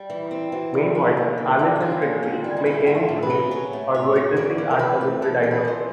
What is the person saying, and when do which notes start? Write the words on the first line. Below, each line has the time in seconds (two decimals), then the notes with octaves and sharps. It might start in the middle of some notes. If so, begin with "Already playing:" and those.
Meanwhile, Alice and Trixie make ends meet by waitressing at the local diner.
Already playing: G3
0.10 E3
0.31 C4
0.52 E3
0.74 G3
0.95 C#4
1.17 A#3
1.38 D#3
1.59 G3
1.76 F#4
1.80 C#4 F4
2.02 A#3
2.23 D#3 F4
2.44 G3
2.57 D#4
2.66 C#4 E4
2.86 A3 E4
2.95 F4
3.09 A2
3.23 B4
3.30 F#3
3.51 C#4 C#5
3.73 A3
3.94 A2 C#5
4.16 F#3
4.37 E3 D5
4.58 C#4
4.71 A#4
4.79 E3 B4
5.01 A3
5.22 E3 A4
5.43 C#4
5.51 B4
5.65 E3 C5